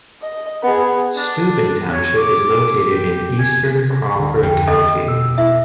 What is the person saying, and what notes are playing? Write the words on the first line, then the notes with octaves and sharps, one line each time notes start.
Steuben township is located in eastern Crawford County.
D#5
B3 G#4
D4
C#5
D6
G4
G#5
D2 D3
F2 G5
A4 D#5
B2 E6
E4 E5